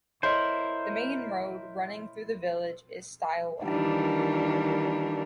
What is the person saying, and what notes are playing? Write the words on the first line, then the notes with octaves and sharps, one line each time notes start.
The main road running through the village is Stile Way.
E4 A#4 C5 C#5 D#5 C6
D#3 E3 G3 A#3 D4